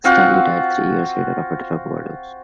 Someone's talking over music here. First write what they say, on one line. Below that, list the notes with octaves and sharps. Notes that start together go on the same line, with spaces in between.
Staley died three years later of a drug overdose.
C4 F4 F#4 F#5